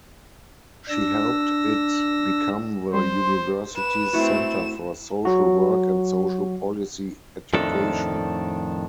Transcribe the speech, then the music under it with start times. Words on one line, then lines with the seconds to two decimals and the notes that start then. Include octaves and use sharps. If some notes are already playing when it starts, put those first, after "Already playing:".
She helped it become the university's centre for social work and social policy education.
0.89 D4 E6 A#6
2.94 G3 C5 C6
3.77 B4 E7
4.13 A3 C4 E4 F#4
5.25 F#3 F#4
7.53 F2 A2 D#3 D4 A4